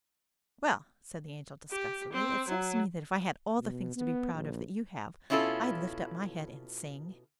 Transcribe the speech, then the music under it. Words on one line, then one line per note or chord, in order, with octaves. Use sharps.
"Well," said the Angel disgustedly, "it seems to me that if I had all the things to be proud of that you have, I'd lift up my head and sing!"
G4
C4
F#3
B2
B3
A#1
B2 C#4 E4 F4 A4